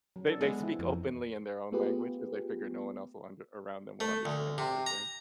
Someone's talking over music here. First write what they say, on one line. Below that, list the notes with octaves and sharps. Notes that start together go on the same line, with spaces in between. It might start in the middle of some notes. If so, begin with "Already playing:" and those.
They they speak openly in their own language 'cause they figure no one else will un around them will understand what they're saying.
F#3
D4 A4
G#3 B3
E3 E4
F2
A3 B3 F4 G4 G#4 B4
A3
D2
C3
A#5